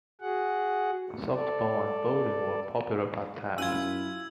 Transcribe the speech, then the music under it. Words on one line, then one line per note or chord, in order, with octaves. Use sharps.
Softball and bowling were popular pastimes.
F#4 G#4 F#5
A4 D5
F#2 E4 F4 G#5 E6 G#6